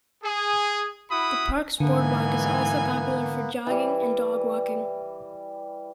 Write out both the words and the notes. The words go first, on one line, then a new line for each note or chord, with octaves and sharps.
The park's boardwalk is also popular for jogging and dog walking.
G#4
E4 F#4 B5 D#6
G#2 D3 E3 A#3 B3 G#5
E3 G3